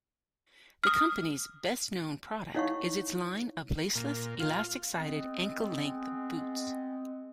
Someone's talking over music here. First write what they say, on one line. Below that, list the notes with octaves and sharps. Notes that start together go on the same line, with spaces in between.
The company's best-known product is its line of laceless, elastic-sided, ankle-length boots.
D#6 F6
D#4 E4 C#5 F5 F#5 C#6
A#2
F4
G#3 B3 C4